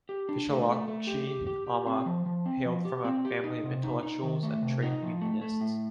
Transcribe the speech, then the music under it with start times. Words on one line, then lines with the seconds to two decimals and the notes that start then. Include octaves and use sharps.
Visalakshi Amma hailed from a family of intellectuals and trade-unionists.
0.09 G4
0.29 D4
0.49 A3
0.68 A3
0.88 A3
1.07 G4
1.27 G4
1.47 G4
1.67 G4
1.87 C4
2.06 F3
2.26 F3
2.46 C4
2.65 F3
2.85 G4
3.05 C4
3.25 G4
3.44 D#4
3.64 C3
3.84 D#4
4.03 D#4
4.23 D#3
4.43 A3
4.62 C3
4.82 D#4
5.02 F3
5.21 A3
5.41 A3
5.61 A2